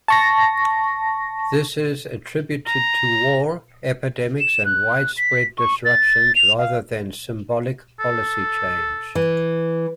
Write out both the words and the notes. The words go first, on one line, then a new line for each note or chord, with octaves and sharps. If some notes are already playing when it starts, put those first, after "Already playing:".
This is attributed to war, epidemics and widespread disruptions rather than "symbolic policy change".
A5 C#6 A#6
A#5
E7
F#6
B6
C#6
A6
F7
F5
A4
E3